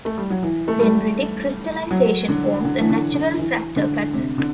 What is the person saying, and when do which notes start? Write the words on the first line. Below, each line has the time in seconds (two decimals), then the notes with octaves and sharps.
Dendritic crystallization forms a natural fractal pattern.
0.05 A3
0.18 G3
0.30 F#3
0.43 E3
0.68 A3
0.79 G3
1.91 F#3
2.28 D3
2.65 D3
2.81 E3
2.90 D3
3.14 D3
3.39 E3
3.76 D3
4.13 C3
4.38 D3